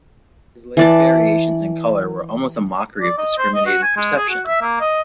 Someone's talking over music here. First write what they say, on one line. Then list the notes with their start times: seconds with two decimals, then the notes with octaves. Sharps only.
His later variations in color were almost a mockery of discriminating perception.
0.77 E3 D5 A5
3.01 D5
3.18 D#5
3.38 C5
3.55 D#5
3.66 F#4
3.83 G#5
3.97 G#3
4.16 G#4
4.30 F#4
4.47 E5
4.62 A#3
4.80 D#5